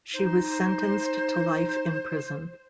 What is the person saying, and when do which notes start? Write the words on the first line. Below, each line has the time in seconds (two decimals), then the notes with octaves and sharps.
She was sentenced to life in prison.
0.14 D#4 C5